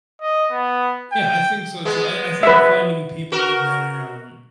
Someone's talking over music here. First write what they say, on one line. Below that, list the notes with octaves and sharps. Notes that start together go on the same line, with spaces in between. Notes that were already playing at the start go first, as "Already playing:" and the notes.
Yeah. I think so too. I I think finding people that are, um
D#5
B3
G5
G#3 B3
B4 E5
F#4 A#4